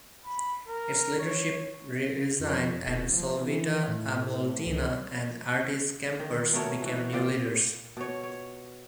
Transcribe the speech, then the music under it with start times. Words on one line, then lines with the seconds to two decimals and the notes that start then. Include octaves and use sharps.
Its leadership resigned, and Solvita Aboltina and Artis Kampars became new leaders.
0.25 B5
0.68 A#4
1.19 C#5
2.40 F2
2.86 D#1
3.13 F3
3.34 E3
3.88 A2
4.66 C#2
6.20 D#3
6.53 B2 A3 A#4 C#5
6.82 E3 F#4
7.12 A#2 F4 D5 G5
7.97 B2 C#5
8.23 C#5